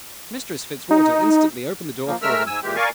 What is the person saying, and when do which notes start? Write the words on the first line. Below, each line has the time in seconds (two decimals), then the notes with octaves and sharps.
Mistress Fitzwalter instantly opened the door for them.
0.91 D#4
2.07 F3 A#3
2.22 G#3 A3 A#4 E5 E6 F6
2.47 G#2 G#5 E6
2.63 A#2 E3 G#3 G4
2.76 A#4 D5 F5 G#5 C#6